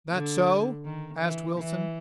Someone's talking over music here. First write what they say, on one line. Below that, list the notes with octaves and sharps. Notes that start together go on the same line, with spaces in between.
"That so?" asked Wilson.
D3
D#3
E3
E3